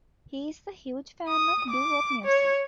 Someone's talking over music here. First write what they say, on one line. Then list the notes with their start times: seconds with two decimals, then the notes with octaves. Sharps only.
He is a huge fan of Doo-wop music.
1.28 D#6
1.70 D6
2.25 C#5